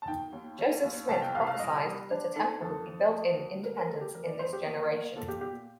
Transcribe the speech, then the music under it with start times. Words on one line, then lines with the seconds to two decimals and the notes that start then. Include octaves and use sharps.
Joseph Smith prophesied that a temple would be built in Independence "in this generation".
0.02 A5
0.08 D#3 G5
0.33 D#2
0.59 D#2
0.83 D#2
1.09 C2 A5
1.22 G5
1.34 C2 F5
1.47 F5
1.59 C2 D#5
1.85 G3
2.11 D4
2.36 D#3 A4
2.61 F2 A4
2.87 F2
3.12 A3
3.39 D2
3.63 A3 A#4
3.77 A#4
3.89 A3 A4
4.01 G4
4.14 F2 A#4
4.27 D5
4.39 F2 C5
4.53 G4
4.65 A#3 A4
4.91 A#3 A#4
5.16 A#2 A4
5.28 G4
5.41 A#2 G4